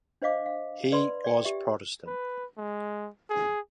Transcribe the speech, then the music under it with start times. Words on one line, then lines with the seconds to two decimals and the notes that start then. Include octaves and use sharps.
He was Protestant.
0.22 D4 C5 D#5 F5 D6
0.46 F5
0.92 B4 D5 B5 C6
1.24 D5 G5
1.45 G4 E5
2.06 B4
2.57 G#3
3.29 G#4